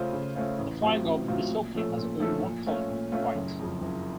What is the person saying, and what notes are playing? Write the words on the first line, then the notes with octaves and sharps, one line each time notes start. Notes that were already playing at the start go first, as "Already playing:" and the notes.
The flag of Nutopia has only one colour: white.
Already playing: C#3 A3 C#4 F4 C5
C#3
A3 C#4 F4 C5
A1
A2 F#3 C4 F4
A1
A2 F#3 C4 F4
A#2
F3 A3 C#4 A4
A#2
F3 A3 C#4 A4
A#2
A3 C#4 F4
A#2
A3 C#4 F4
F#1
F2 C#3
F#1